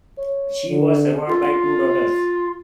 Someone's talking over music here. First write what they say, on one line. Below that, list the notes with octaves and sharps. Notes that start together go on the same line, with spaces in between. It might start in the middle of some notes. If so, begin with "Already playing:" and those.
She was survived by two daughters.
C#5
D3
F4